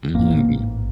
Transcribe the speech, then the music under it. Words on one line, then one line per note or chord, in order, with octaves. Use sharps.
Mhm, we
A1 G#2 A#3